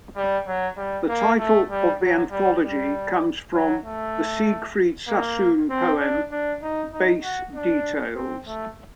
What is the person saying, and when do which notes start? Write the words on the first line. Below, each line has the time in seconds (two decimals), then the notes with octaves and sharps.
The title of the anthology comes from the Siegfried Sassoon poem Base Details.
0.16 G3
0.47 F#3
0.77 G3
1.08 A#3
1.39 A3
1.70 G3
2.01 F#3
2.31 G3
2.62 G3
3.54 F#3
3.85 A3
5.08 A#3
5.70 C4
6.00 D4
6.31 D4
6.63 D#4
6.93 D#4
7.24 F#4
7.55 D4
8.16 C4
8.47 A3